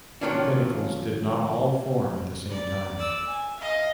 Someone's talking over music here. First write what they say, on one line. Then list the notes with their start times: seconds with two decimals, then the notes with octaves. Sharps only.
The pinnacles did not all form at the same time.
0.21 D#3 F3 F#3 A#3 C#4 D4
2.50 D5
2.97 D5 E6
3.27 G#5
3.60 D#5 F5